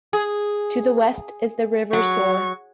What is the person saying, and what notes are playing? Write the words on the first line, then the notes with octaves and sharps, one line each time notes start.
To the west is the River Soar.
G#4
F#3 C#6